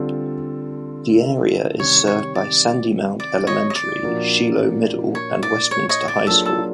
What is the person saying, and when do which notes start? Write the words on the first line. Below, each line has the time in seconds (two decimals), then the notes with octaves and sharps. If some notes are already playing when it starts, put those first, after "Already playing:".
The area is served by Sandymount Elementary, Shiloh Middle, and Westminster High School.
Already playing: D3 G3 C4 F4 A4
1.80 C3 D#3 G3 C#5
2.07 C#5
2.35 D5
3.20 D5
3.47 C#5 D#5
3.70 D#5
3.75 D5
4.03 A#2 F3 A#3 D4 F#4
5.15 C#5
5.43 D5
5.71 C#5
5.89 C#5 D#5
6.08 D5
6.27 F#3 A#3 D4 F4 G#4 A4
6.46 A4